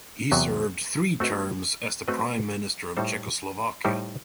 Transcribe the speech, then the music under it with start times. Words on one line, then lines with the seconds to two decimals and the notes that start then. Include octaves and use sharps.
He served three terms as the prime minister of Czechoslovakia.
0.32 E2 C3 F#3 B3
1.20 A3 C4 F#4 B4 D#5
2.08 A3 C4 F#4 B4 D#5
2.97 A2 G3 D#4 A4 C5
3.84 A2 G3 D#4 A4 C5